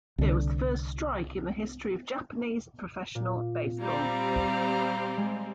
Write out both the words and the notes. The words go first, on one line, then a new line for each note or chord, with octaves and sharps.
It was the first strike in the history of Japanese professional baseball.
C2 D3
A#2
G3 C4 F5 A#5
G#3